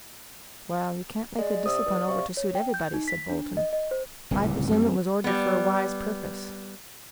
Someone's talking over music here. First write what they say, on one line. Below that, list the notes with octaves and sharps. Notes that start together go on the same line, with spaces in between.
"Well, you can't make the discipline over to suit everybody," said Bolton. "I presume it was ordered for a wise purpose."
G#3 D5
C3 D#6 E6
E2
C3 F5 C#6
C#5
G5
G6
D#4
B6
D4
D#5
D#5
C5
D1 C2 A#2
C#3 E4
F#2 F#3 G3 C4
G3 B3